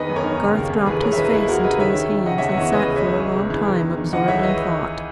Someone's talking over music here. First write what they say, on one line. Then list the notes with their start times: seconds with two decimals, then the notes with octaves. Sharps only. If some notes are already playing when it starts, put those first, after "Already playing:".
Garth dropped his face into his hands, and sat for a long time absorbed in thought.
Already playing: E2 D#3 B4 D#5
0.09 F#2
0.16 A#4 C#5
0.24 D#3
0.40 C#3
0.55 D#2
0.70 D#2
0.86 E3 G#4 B4
1.01 G#2 A#4 C#5
1.13 E5
1.17 E3 B4 D#5
1.32 D#2 E4 G#4
1.48 D#2 F#4 A#4
1.64 C#3 B4 D#5
1.79 D#3 C#5 E5
1.94 D#3
2.10 D#3
2.26 C#3 D#5 F#5
2.38 E2 C#5 E5
2.49 D#5 F#5
2.58 E3 C#5 E5
2.72 C#3 B4 D#5
2.88 C#2
2.96 C#5 E5
3.04 C#2
3.19 E2
3.35 C#3
3.50 E3
3.65 E2
3.81 D#3
3.98 D#3
4.13 E3 D#5 F#5
4.28 C#2 C#5 E5
4.43 B4 D#5